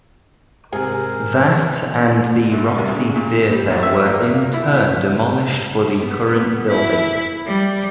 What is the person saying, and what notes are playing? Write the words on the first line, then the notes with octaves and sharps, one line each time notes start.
That and the Roxy Theatre were in turn demolished for the current building.
G#2 C3 G#4 A#4
F3 B3
F#2
C2
C#3
A#2
G3
A1
E5
A#3
A#3
E4
B3
E4
G3